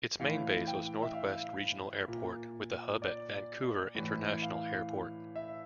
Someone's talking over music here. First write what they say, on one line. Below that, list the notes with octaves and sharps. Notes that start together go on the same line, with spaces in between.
Its main base was Northwest Regional Airport with a hub at Vancouver International Airport.
A2 E3 F5
G5
E5
F5
A#2
D5
A2 E3
F5
E5